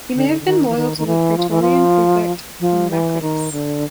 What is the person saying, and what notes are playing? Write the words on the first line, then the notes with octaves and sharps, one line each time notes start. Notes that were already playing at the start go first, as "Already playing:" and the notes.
He may have been loyal to the praetorian prefect Macrinus.
D3
D3
D#3
E3
D#3
D#3
E3
F3
E3
F3
F3
E3
D#3
D3